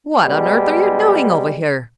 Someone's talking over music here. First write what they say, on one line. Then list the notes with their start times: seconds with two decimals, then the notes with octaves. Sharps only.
"What on earth are you doing over here?"
0.23 B2 G3 G#3